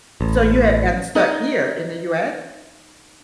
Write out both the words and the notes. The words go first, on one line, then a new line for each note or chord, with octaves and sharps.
So you had gotten stuck here in the US?
A1
D#4 D#5